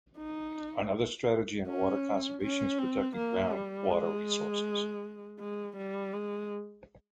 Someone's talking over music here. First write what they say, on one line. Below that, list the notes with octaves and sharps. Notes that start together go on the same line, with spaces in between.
Another strategy in water conservation is protecting groundwater resources.
D#4
C#4
C#4
C4
A#3
G3
G#3
G#3
G3
G#3